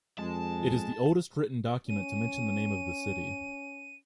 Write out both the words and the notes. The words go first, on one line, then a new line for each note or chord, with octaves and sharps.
It is the oldest written document to mention the name of the city.
F2 G#3 A5
C#4 D#7